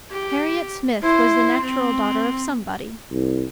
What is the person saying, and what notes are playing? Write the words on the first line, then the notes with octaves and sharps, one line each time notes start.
Harriet Smith was the natural daughter of somebody.
G4
E4 C5
C4
C2